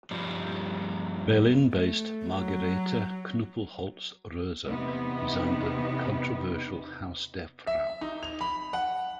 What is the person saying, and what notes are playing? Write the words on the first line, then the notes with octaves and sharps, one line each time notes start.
Berlin based Margarete Knuppelholz-Roeser designed the controversial Haus Der Frau.
G2 F3 G3
A3
F#3
E2 C3 B3 D#4
E5
D#4
F7
B5
F#5